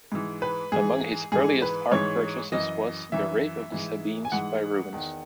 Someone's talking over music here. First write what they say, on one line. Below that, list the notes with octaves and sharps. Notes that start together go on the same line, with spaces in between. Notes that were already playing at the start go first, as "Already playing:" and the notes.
Among his earliest art purchases was "The Rape of the Sabines" by Rubens.
G#2 E3
B4
G#2 E3 G#4
G#2 E3 G#4
B4
G#2 E3 C#5
F#2 E3 D#5
F#2 E3 E5
G#2 E3
G#5
G#2 E3 F#5
E2 D#3